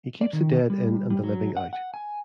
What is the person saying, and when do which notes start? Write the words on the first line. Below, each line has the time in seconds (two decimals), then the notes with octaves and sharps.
He keeps the dead in and the living out.
0.21 D5
0.33 D#3
0.70 G3
1.10 G3
1.24 F#3
1.57 F#5
1.73 F#5
1.94 G#5